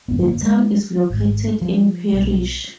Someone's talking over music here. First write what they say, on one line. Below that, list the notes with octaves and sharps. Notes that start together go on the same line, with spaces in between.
The town is located in Parish.
G#1 F#2 D3 B3
A#3
G#3
G#1 G#2
F3
B1 B2